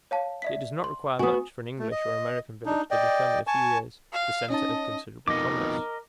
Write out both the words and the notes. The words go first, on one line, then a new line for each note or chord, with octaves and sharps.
It does not require much for an English or American village to become in a few years the center of considerable commerce.
C#5 F5 A5
D5 E5 B6
C6
B3 F#4 G#5 D#6
A3
D#5
D4 D#4
D5 D#5 G5
G#5 A5 C#6
F5
C#4 D#4 D#5 A5
F2 B2 D#4 A#4 D#5 D6